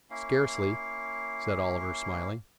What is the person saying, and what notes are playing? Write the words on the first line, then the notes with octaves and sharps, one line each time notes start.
"Scarcely," said Oliver, smiling.
A#3 C#4 E4 F5